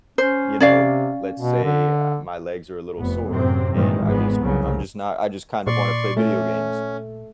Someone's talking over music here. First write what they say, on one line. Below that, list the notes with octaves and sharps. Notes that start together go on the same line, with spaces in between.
you know, let's say I my legs are a little sore, and I just I'm just not I just kind of wanna play video games.
C#4 C5
C3 C#4 D5 F5
B2
D3
F1 B3
F#2 A2 C3 C4
G2 A#2 D#3 E3 G#3
G#1 F2 G#3 B3
C2 C#3 F#3
A#2 D5 C6 C#6
A3 C#4